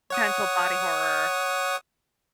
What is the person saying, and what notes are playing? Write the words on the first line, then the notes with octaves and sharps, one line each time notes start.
potential body horror.
C#5 F#5 D#6